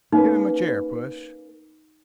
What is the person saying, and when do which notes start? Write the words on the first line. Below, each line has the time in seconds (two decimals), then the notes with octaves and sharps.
"Give him a chair, Puss."
0.12 A#3 C#4 D#4 B4